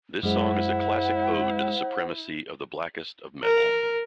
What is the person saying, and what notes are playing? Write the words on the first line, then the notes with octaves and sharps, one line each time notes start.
This song is a classic ode to the supremacy of the blackest of Metal.
F#2 G#3 E4 C5 F#5
A#4